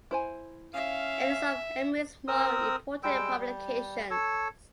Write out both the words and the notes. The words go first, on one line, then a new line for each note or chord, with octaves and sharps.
A list of Emery's more important publications.
E4 C5 G#5
C#4 E5 F5
C4 A#4 D#6 E6
G3 G#3 G5 E6
G3
A4 C#5 E6